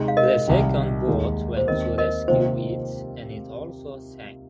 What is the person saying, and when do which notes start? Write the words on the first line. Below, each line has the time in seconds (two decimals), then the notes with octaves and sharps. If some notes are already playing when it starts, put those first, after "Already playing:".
The second boat went to rescue it and it also sank.
Already playing: C3 G#3 D#4
0.08 F5
0.17 A#4 D#5
0.47 C2 C3 D#3
1.07 D#2 D#3 G#3 D#4
1.57 C5
1.68 D#2 D#3 C4 A#4 D#5
1.98 A#4 D#5
2.28 C3 D#3 A#3 F4 C5